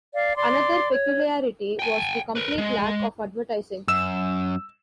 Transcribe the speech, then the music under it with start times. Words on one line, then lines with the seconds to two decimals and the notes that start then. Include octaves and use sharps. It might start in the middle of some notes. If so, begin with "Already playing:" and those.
Another peculiarity was the complete lack of advertising.
0.15 D5 F5
0.36 D5 C6 D6
0.92 C#5
1.79 G5 G#5
2.35 A#4 B4
2.58 G#3
3.88 F#2 E6 E7